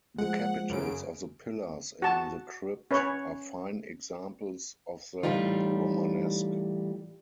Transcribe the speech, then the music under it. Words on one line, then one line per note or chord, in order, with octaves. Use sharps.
The capitals of the pillars in the crypt are fine examples of the Romanesque.
F3 G#3 F#5
F#2 C#3 D7
F#4 A5
C#4 B4 C#5
A2 E3 F3 G3 D#4 F4